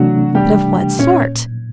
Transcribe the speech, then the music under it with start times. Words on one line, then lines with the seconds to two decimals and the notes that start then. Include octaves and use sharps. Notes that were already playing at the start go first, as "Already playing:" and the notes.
"But of what sort?"
Already playing: C3 E3 F#3 A3 D4 F#4
0.35 G3 G4
0.99 A#2 C#4 C#5